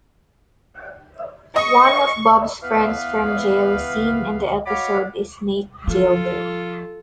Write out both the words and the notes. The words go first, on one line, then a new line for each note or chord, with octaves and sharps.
One of Bob's friends from jail seen in the episode is Snake Jailbird.
D#5 C#6 D#6
E3 B3 B4 F5
F#4 C#5 D#5 F5 B5 D6
F3 F4 A4